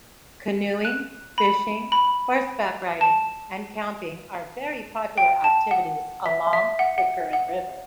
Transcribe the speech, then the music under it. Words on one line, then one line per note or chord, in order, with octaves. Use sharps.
Canoeing, fishing, horseback riding, and camping are very popular activities along the Current River.
F#6
B5
B5
A5
G5
A5
F#5
E5
E5
F#5
F#5
F#5